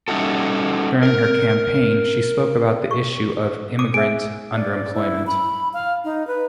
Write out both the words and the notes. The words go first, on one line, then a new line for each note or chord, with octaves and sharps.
During her campaign she spoke about the issue of immigrant underemployment.
G3 C#4 D#4 E4 F#4 A4
A#4
C#6
D6 D#6
G#4 E5 D7
D5
E4
B5
F5
D#4
B4